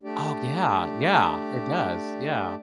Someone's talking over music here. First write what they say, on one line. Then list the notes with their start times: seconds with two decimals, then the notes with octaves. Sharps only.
Oh, yeah, yeah, it does, yeah.
0.03 A3 D4 G4 D5